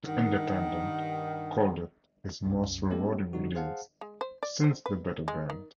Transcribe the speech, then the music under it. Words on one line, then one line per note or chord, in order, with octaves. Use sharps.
The Independent called it "his most rewarding release since the Beta Band".
G2 D#3 F#5
C2 F#2
G#3 A3 B3 C#4 G4 A4
D3 G3 D#4 F#4
G#4 C5 F5 F#5 A5
G#3
C5
D5
C5
B4
G#3
D#3